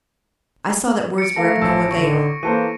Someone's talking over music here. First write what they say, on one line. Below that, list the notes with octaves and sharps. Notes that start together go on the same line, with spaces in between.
I saw that words were of no avail.
C#7 D7
A3 A4 A#4 F5 A#6 C#7
A1 A5 E6
D3 C#6
E3 A#3 A4 C5 D#7